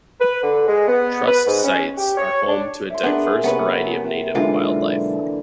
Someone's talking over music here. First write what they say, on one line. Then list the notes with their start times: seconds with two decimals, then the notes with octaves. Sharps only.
Trust sites are home to a diverse variety of native wildlife.
0.20 B4
0.43 D3
0.68 G#3
0.88 B3
1.28 B4
1.47 G#2
1.64 C#4
1.97 G4
2.17 C#5
2.48 D4
2.90 E5 C6
3.04 B3 D4 G#4 A#4
3.44 C3 A#3 B3 C#4 B4 C6
4.35 B1 D3 E3 G#3 F4